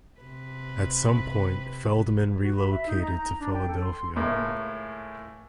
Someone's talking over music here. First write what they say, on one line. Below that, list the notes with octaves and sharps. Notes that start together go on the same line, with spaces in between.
At some point Feldman relocated to Philadelphia.
C3 B4
F#4
B5
E5
D#4
A#5
A#5
D4
G5
A4
C6
C#2 A2 A3 A#3